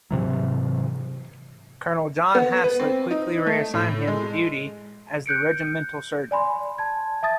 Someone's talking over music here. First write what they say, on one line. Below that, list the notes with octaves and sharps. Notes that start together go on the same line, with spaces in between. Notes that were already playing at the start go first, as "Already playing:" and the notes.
Colonel John Haslet quickly reassigned him to duty as the regimental surgeon.
G#2 C3 E3 F#3
B3
B4
C4
D#4
A3
A2
G#3
F#6 G6 C#7 D7
D5 G#5 B5 C6
A5 G#6
E5 A5 D#6 A6